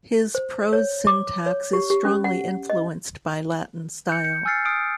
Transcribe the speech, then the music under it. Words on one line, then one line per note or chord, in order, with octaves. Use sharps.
His prose syntax is strongly influenced by Latin style.
C5
C#5
D6
C#5
G4
G4
C#4
F#5
D#5
G6 C#7
G6 C#7
G#5 E6 F6 A6 C7 C#7
D#6 F6 C7 D7